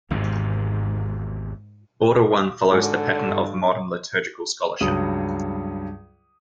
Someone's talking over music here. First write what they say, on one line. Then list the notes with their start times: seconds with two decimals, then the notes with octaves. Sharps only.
Order One follows the pattern of modern liturgical scholarship.
0.11 G#1 E2 G#2 C3
2.71 G#2 D3 F#4 D6
3.28 G2
4.81 C#2 G2 F#3 D#6